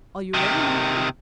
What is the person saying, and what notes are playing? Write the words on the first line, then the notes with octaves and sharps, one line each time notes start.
"Are you ready, Michael?"
C3 D#3